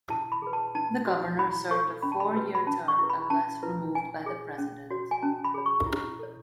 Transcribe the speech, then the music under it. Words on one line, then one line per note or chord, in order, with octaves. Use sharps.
The governor served a four-year term, unless removed by the President.
E4 A5
B5
G#4 B4
A5
D#4 A5
F#4 C#5
E4 B5
A4 C#5 C#6
C#4 B5
A5
B5
F#4 B4
B5
C#4 A5
C#6
E4 G#4 B4
B5
C#4 A5
E4 B4
D#4 G#5
G#4 C#5
C#4
F#4 C#5
G#5
C#4 A5
B5
G#4 C#5
C#6
E4
A4 C#5